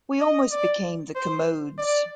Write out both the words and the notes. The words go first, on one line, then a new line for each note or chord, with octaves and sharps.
We almost became 'The Commodes!
D#5
D5
C5
D5